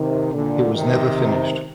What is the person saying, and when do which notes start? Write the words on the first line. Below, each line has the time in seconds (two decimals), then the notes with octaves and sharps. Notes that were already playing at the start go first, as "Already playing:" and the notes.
It was never finished.
Already playing: C3 D#3
0.33 A#2 D3
0.75 C3 D#3